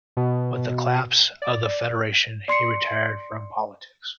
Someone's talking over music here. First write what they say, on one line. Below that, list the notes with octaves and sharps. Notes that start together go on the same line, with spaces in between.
With the collapse of the Federation he retired from politics.
B2
D5
D5 C6 C7 C#7